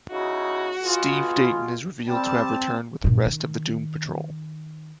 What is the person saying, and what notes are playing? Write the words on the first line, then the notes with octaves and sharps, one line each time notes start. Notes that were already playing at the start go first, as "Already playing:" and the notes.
Steve Dayton is revealed to have returned with the rest of the Doom Patrol.
C#3 D#4 E4 F#4
B2 B3 F4 G#4
G3 C4 A5
G2 A#2
D#3